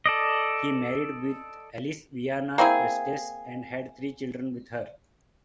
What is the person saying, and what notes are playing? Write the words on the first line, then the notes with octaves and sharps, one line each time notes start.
He married with Alice Viana Prestes, and had three children with her.
A4 D5 D#5
A#3 C4 E4 G#4